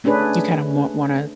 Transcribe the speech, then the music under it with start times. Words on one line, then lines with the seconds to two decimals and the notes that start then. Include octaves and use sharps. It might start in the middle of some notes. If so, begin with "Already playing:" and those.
you kinda mor wanna
0.04 A3 C#4 D4 G#4 B4